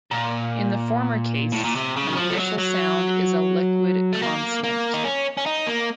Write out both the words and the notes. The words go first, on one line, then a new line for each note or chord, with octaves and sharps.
In the former case, the initial sound is a liquid consonant.
A#2
A2
A#2
C3
C#3
D#3
F3
A3
F#3
F#3
A3
A#3
A#3
D#4
C#4
C#4
D#4
A#3